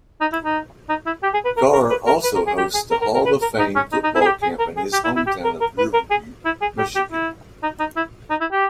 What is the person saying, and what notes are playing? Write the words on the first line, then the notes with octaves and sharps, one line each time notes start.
Carr also hosts the Hall-of-Fame Football Camp in his hometown of Riverview, Michigan.
D#4
E4
D#4
D#4
E4
G4
G#4
B4
A#4
A#4
B4
A#4
B4
A#4
G#4
G4
G#4
A#4
A#4
A#4
B4
A#4
D#4
C#4
D#4
D#4
E4
G#4
G4
G#4
A#4
G#4
G4
E4
E4
G4
A#4
A#4
B4
A#4
G#4
E4
G#4
G4
G4
E4
D#4
D#4
E4
D#4
E4
G4